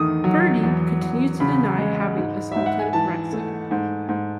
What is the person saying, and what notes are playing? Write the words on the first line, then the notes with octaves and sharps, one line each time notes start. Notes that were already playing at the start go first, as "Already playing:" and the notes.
Burdi continues to deny having assaulted Reckzin.
Already playing: E2 D#3 A3 D#6
F#3
E2
E2
C#3 B5
G#3
G#2
G#2 E5
F#5
G#5
E3 A5
A3
G#2
G#2